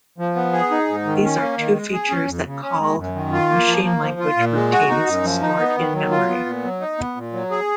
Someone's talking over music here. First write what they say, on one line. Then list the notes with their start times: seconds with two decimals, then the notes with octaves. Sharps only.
These are two features that called machine-language routines stored in memory.
0.18 F3
0.36 B3
0.53 G#4
0.71 D#4
0.88 G#2
1.05 D#3
1.23 C#4
1.40 A#3
1.58 D#3
1.75 G#3
1.93 G#4
2.10 C#4
2.28 F2
2.45 C#3
2.63 C#4
2.80 G#3
2.97 F#2
3.15 D#3
3.32 F4
3.49 A#3
3.67 F3
3.85 A#3
4.02 F3
4.20 F4
4.37 A#2
4.55 G#3
4.72 F#4
4.89 D#4
5.07 F#2
5.24 F3
5.41 D#4
5.59 B3
5.76 D#3
5.94 F#3
6.11 F4
6.29 B3
6.46 A#2
6.63 F#3
6.81 D#4
6.98 B3
7.16 A#2
7.33 F#3
7.51 G#4